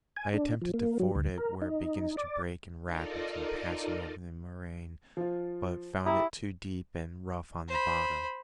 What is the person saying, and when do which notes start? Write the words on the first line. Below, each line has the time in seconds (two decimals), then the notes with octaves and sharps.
I attempted to ford it where it begins to break in rapids in passing over the moraine, but found it too deep and rough on the bottom.
0.16 G#5
0.34 D4
0.62 F3
0.74 A#3
1.00 F#3
1.15 D2
1.38 A#4
1.62 D#4
2.17 D5
2.85 D#4 F4 A4 A#4 D5 D#5
5.17 F3 F4
6.06 E4 G4 A#5 D#6
7.68 C5 B5